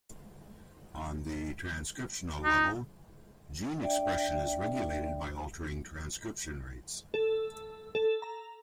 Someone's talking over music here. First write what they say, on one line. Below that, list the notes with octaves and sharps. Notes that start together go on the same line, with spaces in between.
On the transcriptional level, gene expression is regulated by altering transcription rates.
D#4
D4 D5 E5 G5
A4
A4
A#5